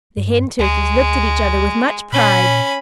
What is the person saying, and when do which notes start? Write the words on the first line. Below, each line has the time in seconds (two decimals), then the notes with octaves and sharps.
The Hen Turkeys looked at each other with much pride.
0.17 G2
0.59 D2 G#3
2.12 A#2 C#4 B5